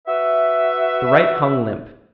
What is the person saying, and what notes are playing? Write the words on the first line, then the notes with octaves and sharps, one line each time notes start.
The right hung limp.
F#4 B4 E5